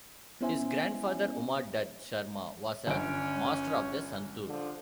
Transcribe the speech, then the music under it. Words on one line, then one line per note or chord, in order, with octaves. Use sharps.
His grandfather, Uma Dutt Sharma, was a master of the santoor.
B3 C#4 E4 C5 E5 G#5
G1 C#4 D7
D3 F3